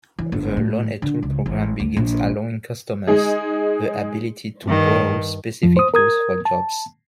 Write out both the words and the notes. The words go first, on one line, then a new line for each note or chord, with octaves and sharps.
The Loan-A-Tool program begins allowing customers the ability to borrow specific tools for jobs.
E3
G1
A2
D3
C#2
A1
D2
A#1
G#3 D#4 G#4
G2 D#3
F2 F3
C5 D#6
A#4 D#6 G#6
A5